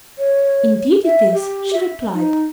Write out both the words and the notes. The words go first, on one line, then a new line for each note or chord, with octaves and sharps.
"Indeed it is," she replied.
C#5
E5
G4
E5
D#4